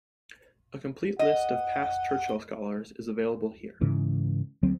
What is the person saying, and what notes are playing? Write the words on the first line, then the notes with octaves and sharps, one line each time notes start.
A complete list of past Churchill Scholars is available here.
D#5 F#5
G#2 C#3 E3
D2 F#3 C4